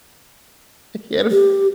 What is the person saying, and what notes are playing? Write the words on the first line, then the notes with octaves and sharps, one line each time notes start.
I can't
G4